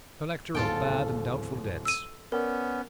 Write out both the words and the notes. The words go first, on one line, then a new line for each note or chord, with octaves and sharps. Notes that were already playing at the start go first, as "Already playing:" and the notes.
Collector of bad and doubtful debts.
D1 G#1 E2 F4 A4 G5
E6 D#7
B3 C#4 A#4 D5